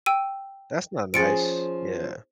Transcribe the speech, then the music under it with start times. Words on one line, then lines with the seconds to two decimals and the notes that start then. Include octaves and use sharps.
That's not nice. Yeah.
0.06 G5 E6 D#7
1.14 F3 C#4 G#4 A6 C#7 D7